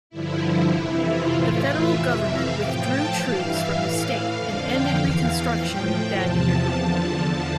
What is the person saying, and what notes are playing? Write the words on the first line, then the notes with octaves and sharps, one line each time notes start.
The federal government withdrew troops from the state and ended Reconstruction that year.
G2 D3 F3 E4
E4
F2 C3 E3 E4
F4
A2 E3 F4
E5
F2 C3 E3
F5
A2 F3 G5
A5
G2 E3 F5
E5
A2 E3 F5
F2 D3 F3
G5
E2 E3 F5
F5
A2 F3 G5
G5
E2 C3 F3 A5
E2 D3 F3
A5